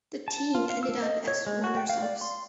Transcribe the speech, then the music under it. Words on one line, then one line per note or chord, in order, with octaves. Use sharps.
The team ended up as runners-ups.
A5
F4
F5
E6
D#5
C#5
G#3
F#4
G5
F5
D5
C6